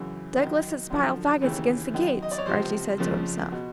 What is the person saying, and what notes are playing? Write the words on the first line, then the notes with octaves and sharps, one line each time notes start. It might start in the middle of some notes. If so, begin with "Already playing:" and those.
"Douglas has piled faggots against the gates," Archie said to himself.
Already playing: F#2 C#3 E3
F#2 D#3
F#2 D3 F3
D#2 C#3 E3
F#2 D#3
D#5
D5
C#5
C#2 C3 F3 C5
F2 C#3 F3
B2